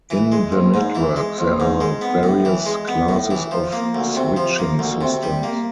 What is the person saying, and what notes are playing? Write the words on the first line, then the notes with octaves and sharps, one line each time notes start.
In the network there are various classes of switching systems.
E3
G#3
A#1
G#2
E3
G#3
A#1
G#2
G#3
B3
A2
E3
G#3
B3
A2
E3
F3
A#3
D2
C3
F3
A#3
D2
C3
G3
A#3